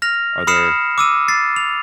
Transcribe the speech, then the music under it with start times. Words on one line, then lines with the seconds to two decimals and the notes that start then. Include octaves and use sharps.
are there
0.02 F6 A#6 F7
0.47 B5 D#6 F6 C7 C#7 E7
0.98 D6 E6 D#7
1.28 A6 C7
1.56 F7